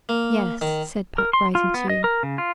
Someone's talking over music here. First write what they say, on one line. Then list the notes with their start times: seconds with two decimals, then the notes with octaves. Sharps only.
'Yes,' said Puck, rising too.
0.09 A#3
0.61 D#3
1.18 A#4
1.33 C6
1.55 F4
1.74 B3
1.90 D#5
2.04 A#4
2.23 C#3
2.38 F4